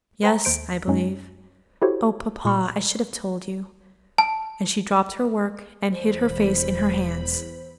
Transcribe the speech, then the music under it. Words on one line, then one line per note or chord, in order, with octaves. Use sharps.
'Yes; I believe--oh papa, I should have told you.' And she dropped her work, and hid her face in her hands.
B4 C5 G5 A#5
D#2 C5 D7
F#2 G#3 C#4 D#4
E4 F#4 G4 A4 C5 C#5
A#2 C#6
A5
E2 C5 B5
E1 G#3